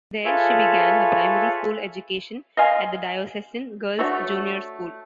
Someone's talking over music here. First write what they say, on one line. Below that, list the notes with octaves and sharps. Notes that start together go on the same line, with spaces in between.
There, she began her primary school education, at the Diocesan Girls' Junior School.
F4 G#4 A4 B4 C#5 E5
D#5 F5 G#5 C6
A3 D4 F#4 C#5